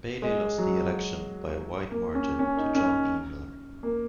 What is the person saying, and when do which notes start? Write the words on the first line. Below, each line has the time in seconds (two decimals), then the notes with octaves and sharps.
Bailey lost the election by a wide margin to John E. Miller.
0.22 G#3
0.58 F#3
1.91 A#3
2.15 C#4
2.39 C#4
2.57 D#4
2.75 C#4
3.83 A#3